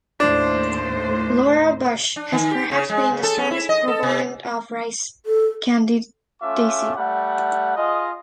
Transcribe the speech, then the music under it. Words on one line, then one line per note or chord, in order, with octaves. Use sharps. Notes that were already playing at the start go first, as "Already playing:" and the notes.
Laura Bush has perhaps been the strongest proponent of Rice's candidacy.
D#2 A2 D4 C5
D4
D#3
G4
C#3
G#3
C#3
A4
C#4
E4
D#5
A4
C3
A4
A3 C#4 F4 E5 D6
G3 A3 F#5
F4 G#4 D#5